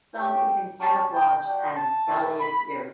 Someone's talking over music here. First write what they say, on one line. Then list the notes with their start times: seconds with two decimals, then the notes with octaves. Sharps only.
Some even camouflaged as "Gauleiter".
0.17 C#4 G4 G5
0.80 C#4 G4 A5
1.12 G5
1.44 G3 D4 F#4 G5
1.75 A5
2.07 A3 E4 G4
2.39 B5